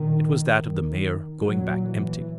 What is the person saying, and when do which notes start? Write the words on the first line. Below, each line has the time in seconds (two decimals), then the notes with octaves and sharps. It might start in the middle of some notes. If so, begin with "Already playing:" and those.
It was that of the mayor, going back empty.
Already playing: A#2 D#3
0.54 D#3
1.39 A#2 F#3
1.82 E3